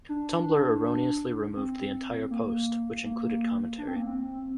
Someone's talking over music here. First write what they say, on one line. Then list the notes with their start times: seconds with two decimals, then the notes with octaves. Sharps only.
Tumblr erroneously removed the entire post, which included commentary.
0.09 D4
1.56 C4
2.30 A#3
3.05 A#3
3.78 D4
3.88 C4
3.96 A#3
4.07 C4